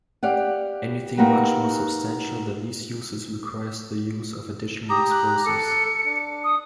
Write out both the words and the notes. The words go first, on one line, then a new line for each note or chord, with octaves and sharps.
Anything much more substantial than these uses requires the use of additional explosives.
G4 D5 F5 F#5
A#3 D#4 F#4 G4 B4
G4 A#5 D#6
F#6
A4 C#7
D4
D#6